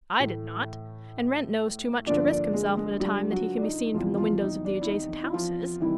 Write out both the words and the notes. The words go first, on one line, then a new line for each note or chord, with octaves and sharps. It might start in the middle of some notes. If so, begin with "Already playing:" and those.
I did not, and Wrent knows too much to risk himself at a time that he can be seen from the windows of the adjacent houses.
A2 E3 A3
G2 D3 F3 A#3 D4 D5
D4 D5
G#3 G#4
G#3 G#4
G3 G4
F#3 F#4
D4
D#4
E2 C3 E3 F3 G3 F4
F3 F4
D#4
D4
E4
D#4
E4
F3 F4
C3 D#3 E3 G3 E4